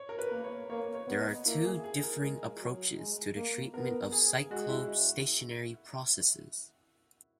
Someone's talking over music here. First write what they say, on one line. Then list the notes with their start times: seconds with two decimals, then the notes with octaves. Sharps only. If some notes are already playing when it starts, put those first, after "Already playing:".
There are two differing approaches to the treatment of cyclostationary processes.
Already playing: C#5
0.09 A#4
0.19 B4
0.31 A#3
0.44 C#5
0.69 A#3 C#5
0.95 C#5
1.08 B3
1.21 D#5
1.46 A#3 E4
1.64 G#4
1.84 G#4
2.03 A#4
2.22 G#3
2.60 F#3
2.98 G#3
3.36 A#3
3.74 B3 A#4
4.12 G#4
4.51 G#3 F#4
4.69 E4